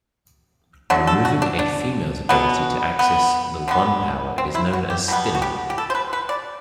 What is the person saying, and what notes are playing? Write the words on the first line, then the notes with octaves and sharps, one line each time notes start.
Removing a female's ability to access the One Power is known as "stilling".
D3 F#3 A3 F#4
A4
F#4
D4
D4
B2 F#3 B3
B3
D3 G3 B3
C4
E4
F#4
G4
B2 G3 B3
F#4
G4
G4
A4
C5
B4
B4
D5